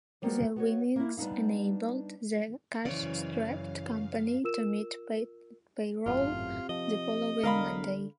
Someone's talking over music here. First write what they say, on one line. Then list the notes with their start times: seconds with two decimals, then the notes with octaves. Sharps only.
The winnings enabled the cash-strapped company to meet payroll the following Monday.
0.22 F3 G3 A#3 B3 F4 F#4
0.56 B3 F#4 C#5
0.96 A#3 E4
1.17 G3 B3 D4 D#4 F5
2.85 F#2 C#3 E3 C#5 D5 F5
4.44 F4 A#4 E6 E7
6.06 G#1 F#2 A2 C3 F4
6.69 F3 D#5
7.43 E1 D3 A#4 F5 B5